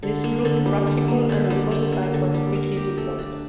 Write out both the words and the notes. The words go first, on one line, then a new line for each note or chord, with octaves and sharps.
This proved practical and a prototype was quickly developed.
D3
A#3
D3
G3
D3
A#3
D3
G3
D3
A#3
D3
G3
A#4
G4
A3
D4